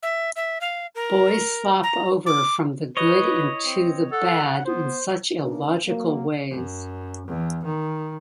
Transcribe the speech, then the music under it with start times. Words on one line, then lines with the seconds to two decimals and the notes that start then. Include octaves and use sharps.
Boys slop over from the good into the bad in such illogical ways.
0.03 E5
0.36 E5
0.61 F5
0.95 A#4
1.83 A#5
2.26 D6
2.97 E4 B4 C#5 D#5
3.65 C4
4.12 A4 F#5
4.65 B3 C5
5.38 E2 C#3 A#3 D4 D#4
5.87 F#3 A#3
6.50 F#2
7.27 E2
7.65 D#3